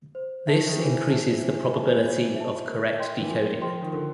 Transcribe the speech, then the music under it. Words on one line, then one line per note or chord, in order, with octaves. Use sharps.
This increases the probability of correct decoding.
C5
D#3 E5 A5
D#3
E3 C5
E5 A5
C5
E5 A5
C5
E5 A5
A#4
D#5 G5 C6
E3
F3 A#4
F3 D#5 G5 C6
D#3
D3 A#4